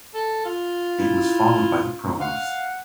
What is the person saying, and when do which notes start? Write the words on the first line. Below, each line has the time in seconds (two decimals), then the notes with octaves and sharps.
It was followed by the Provos.
0.14 A4
0.45 F4
0.97 E4
2.21 F5 F#5